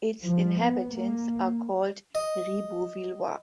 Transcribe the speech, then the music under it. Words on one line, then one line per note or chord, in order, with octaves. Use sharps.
Its inhabitants are called "Ribeauvillois".
F3
B3
A#3
D#5